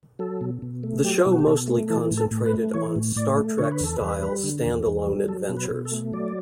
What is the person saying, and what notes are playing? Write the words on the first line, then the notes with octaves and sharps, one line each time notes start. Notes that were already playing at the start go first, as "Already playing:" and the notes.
The show mostly concentrated on "Star Trek"-style standalone adventures.
F#3 A4
B2
B2
A3
F#3 G4
B2 E4
F#4
G4
B2 A4
A3
E3 A4
A2
A4
A2
B4
A3
E3 C#5
A2
A2 D5
A3
D3 C#5
B4
E2 A4
E2 B4
G3
D3
E2
E2
G3
F#3 A4
B2
B4
B2
A4
A3
F#3 D5